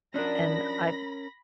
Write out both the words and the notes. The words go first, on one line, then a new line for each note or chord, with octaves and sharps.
and I
F3 C#4 D4 A#4 B5 A#6